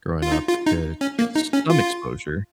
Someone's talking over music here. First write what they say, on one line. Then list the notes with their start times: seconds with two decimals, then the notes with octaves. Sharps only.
growing up to get some exposure.
0.22 F4
0.32 D#4
0.48 F4
0.66 D#4
1.01 C#4
1.19 A#3
1.35 D#4
1.53 C#4
1.70 F4